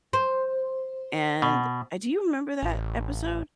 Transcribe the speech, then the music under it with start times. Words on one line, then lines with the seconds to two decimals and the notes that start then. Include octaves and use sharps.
and uh, do you remember that episode?
0.13 C5
1.42 B2
2.63 A1